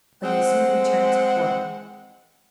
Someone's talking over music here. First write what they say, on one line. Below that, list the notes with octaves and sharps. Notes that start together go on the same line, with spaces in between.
But he soon returned to court.
G#3 C4 F#5